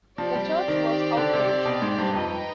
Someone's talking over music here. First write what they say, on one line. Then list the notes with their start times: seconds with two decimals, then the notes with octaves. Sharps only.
The church was outraged.
0.18 F3 C4 G4 D5
0.35 G3
0.68 D#3
1.17 D3
1.33 C3
1.49 C3
1.65 B2
1.82 G#2
1.98 G2
2.15 F2 D#4 B4 D#5 G5